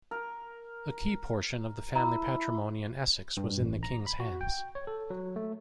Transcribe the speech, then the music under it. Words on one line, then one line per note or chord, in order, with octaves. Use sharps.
A key portion of the family patrimony in Essex was in the King's hands.
A#4
E4 A#5
G2
A1
A#5
B5
F#4
G5
C#5
A4
F#3
A3